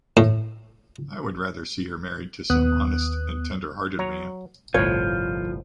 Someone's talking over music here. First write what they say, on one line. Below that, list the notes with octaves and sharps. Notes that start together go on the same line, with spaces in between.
I would rather see her married to some honest and tender-hearted man.
A2
D#2 B3 D#6 F#6
F#3 C#5 A#5
G1 C2 A2 F3 C#5